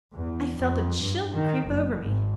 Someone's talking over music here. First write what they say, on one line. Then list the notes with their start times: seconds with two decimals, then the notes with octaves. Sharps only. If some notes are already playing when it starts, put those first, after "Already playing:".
I felt a chill creep over me.
0.14 E2
0.56 F2
1.01 G2
1.32 D#3
1.66 F#1
1.99 G#1